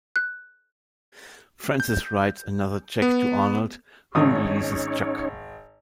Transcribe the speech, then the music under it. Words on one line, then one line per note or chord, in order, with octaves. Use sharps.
Francis writes another check to Arnold, who releases Chuck.
F#6
G6
B3
G#1 C#4 D#4 C#5 D#6